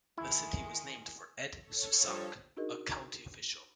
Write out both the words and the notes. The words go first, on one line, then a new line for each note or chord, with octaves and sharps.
The city was named for Ed Susank, a county official.
D#3 G#3 E4
A4 C#5
G2 F3
D4 D#4 F#4 G#4 A#4 D#5